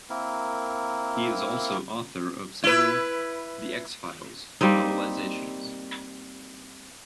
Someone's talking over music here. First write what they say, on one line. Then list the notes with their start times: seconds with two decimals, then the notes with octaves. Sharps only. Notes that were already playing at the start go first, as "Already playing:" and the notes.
He is also author of several "The X-Files" novelizations.
0.10 A#3 C4 E4 A#4
2.64 E4 B4
4.61 G3 A#3 C4 D#4